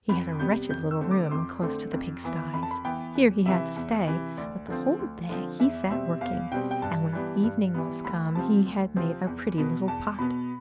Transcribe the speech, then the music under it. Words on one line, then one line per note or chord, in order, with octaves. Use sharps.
He had a wretched little room close to the pigsties; here he had to stay, but the whole day he sat working, and when evening was come he had made a pretty little pot.
F2 B5
C3 G3 B3 G6
F2 G6
E6
D3 A3 C4
D6
F2 C6
D3 A3 C4
F2
E3 B3
F2 B5
A5
B5
E3 B3 G5
E2
C3 E3 E5
E2
C3 E3
D2 D5
D3 F3 C4
D2
D3 F3 C4
E2 E5
B2 G3 C4 E5
E2 F5
B2 G3 C4 G5
G5
G2 A5
E3 G3 B3
G2
E3 G3 B3
D2 B5
C3 F3 C4 A5
D2
C3 F3 C4
E2
B2 B3
E2 A5
B2 B3 B5